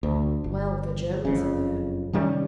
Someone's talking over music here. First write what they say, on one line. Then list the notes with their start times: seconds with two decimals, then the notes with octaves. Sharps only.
"Well; the Germans are there."
0.03 D2
0.44 G1
1.25 F#1 F2 C#3
2.13 C3 D#3 G3 C#4